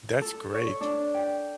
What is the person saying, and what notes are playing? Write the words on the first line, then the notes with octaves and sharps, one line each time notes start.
That's great.
A4
C#5
D4
G5